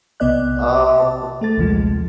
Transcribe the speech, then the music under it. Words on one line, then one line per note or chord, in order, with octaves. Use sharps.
Um, w
B1 C3 B3 D5 D#5 F#6
A5
A3 A4 A6
A#1 D#2 C3 F3 G#3